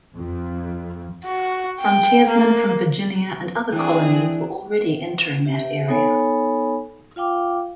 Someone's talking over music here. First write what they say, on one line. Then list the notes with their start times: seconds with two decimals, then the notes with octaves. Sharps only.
Frontiersmen from Virginia and other colonies were already entering that area.
0.16 F2
1.25 F#4
1.80 G5
2.28 A#3
3.73 E3 C4 D4 G#4
5.45 G4 E5
5.88 B3 D#4 A4 C#5 G#5 B5
7.16 F4 F5 G5 D6